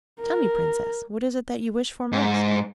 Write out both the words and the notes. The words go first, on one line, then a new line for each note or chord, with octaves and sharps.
Tell me, Princess, what is it that you wish for most?
A#4
G#2